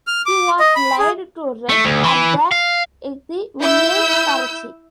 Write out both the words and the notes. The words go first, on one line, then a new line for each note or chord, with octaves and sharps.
He was laid to rest at the Edhi Village Karachi.
F6
D6
D#5
B5
G#4
A3
D2
E3
F5
E4 E6 G6